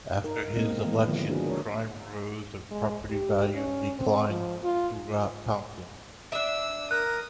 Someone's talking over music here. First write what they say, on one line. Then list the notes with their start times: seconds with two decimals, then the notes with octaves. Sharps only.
After his election crime rose and property values declined throughout Compton.
0.24 D#4 A#4
0.56 B2 G#3 A#3 C4 D#5
0.86 E3 G#3 B3
1.08 D3 D#3 F3
1.28 D4 E4 F#4 G#4 B4
1.46 A#4 C#5
2.71 G#3
3.10 G4
3.55 C#4
3.99 C4
4.29 F3
4.64 F4
6.32 D4 E5 E6
6.91 A#4 A#5 D#6 F#6